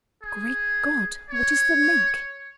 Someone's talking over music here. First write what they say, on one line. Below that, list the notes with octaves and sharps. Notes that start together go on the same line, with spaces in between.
Great God! what is the link?
G#4
C#5